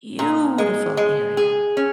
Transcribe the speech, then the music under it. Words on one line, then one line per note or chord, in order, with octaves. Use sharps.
Beautiful area.
A#2
G#3
G#3
G#4
C#4